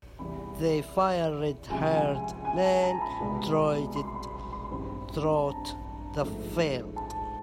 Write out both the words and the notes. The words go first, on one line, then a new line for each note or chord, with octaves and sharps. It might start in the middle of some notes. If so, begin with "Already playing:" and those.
The fiery red-haired man trotted through the field.
E2 C3 E3 G3 B5
C#2 C3 F3 G#5
G#5
G#5
A5
A#5
B5
C2 B2 G#3 B3
C6
B5
B5
C6
G2 E3 G3 C4 B5
B5
A5
A#5
G#2 F3 A3
A5